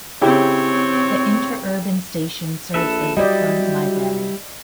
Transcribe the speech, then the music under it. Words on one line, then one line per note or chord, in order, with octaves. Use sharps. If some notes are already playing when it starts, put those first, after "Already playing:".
The interurban station serves as the current library.
C#3 C4 E4 G4 C#5
A#1 A4 B4 E5
F#3 G3 E4 G4 D5 D#5